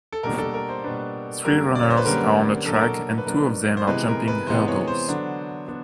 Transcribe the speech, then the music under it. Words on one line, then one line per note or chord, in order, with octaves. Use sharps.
Three runners are on a track and two of them are jumping hurdles.
A4
B2 G3 A#3 D4 A#4
A4
A#4
C5
B2 G3 A#3 D4 B4
F#2 D3 G3 A#3 A#4
D5
C#5
C5
B4
F#2 D3 G3 A#3 A#4
B2 F#3 A#3 D4 A4
A#4
A4
B4
B2 F#3 A#3 D4 A#4
C5
C3 E3 G#3 B3 B4
A#4
B4
C3 E3 G#3 B3 C5
C#5
C5
D3 F#3 B3 D4
B3 D4